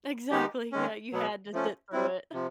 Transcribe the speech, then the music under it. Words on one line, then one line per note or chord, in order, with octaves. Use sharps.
Exactly, yeah, you had to sit through it.
D#3 G#3 B3 D#4 G4
D#3 G#3 C#4
B2 F#3 B3
F3 A3 C#4
G3 C4 E4
C3 F3